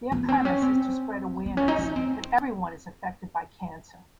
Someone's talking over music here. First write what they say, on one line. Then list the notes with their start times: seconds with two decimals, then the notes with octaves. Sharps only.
Their premise is to spread awareness that everyone is affected by cancer.
0.12 B3
0.29 C4
0.45 C#4
0.62 C4
1.46 B3
1.57 C#4
1.68 D#4
1.79 D4
1.96 C4